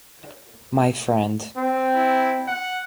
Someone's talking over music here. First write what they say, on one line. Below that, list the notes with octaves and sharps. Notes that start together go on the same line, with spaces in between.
My friend.
C4
E4
F#5